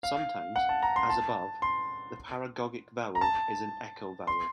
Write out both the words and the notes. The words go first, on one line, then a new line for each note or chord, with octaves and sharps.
Sometimes, as above, the paragogic vowel is an echo vowel.
F5
F#5
A5
A#5
C6
A5
C6
A#5
A5
C6